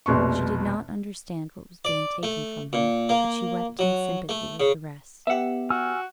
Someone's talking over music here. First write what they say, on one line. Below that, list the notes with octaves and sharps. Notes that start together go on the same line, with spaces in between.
She did not understand what was being taken from her, but she wept in sympathy with the rest.
F1 A#1 B2 C6 C#6
D5
A3
A#2
A#3
F#3
A3
C#3
B3 G4 E5 F#5
F#4 G#5 E6 F6